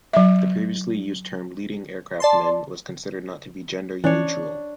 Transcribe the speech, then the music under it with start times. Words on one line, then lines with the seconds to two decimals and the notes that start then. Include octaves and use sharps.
The previously used term "leading aircraftman" was considered not to be gender neutral.
0.13 F#3 E5
2.20 D5 A5 C6
4.04 E3 C#4 D4 C#5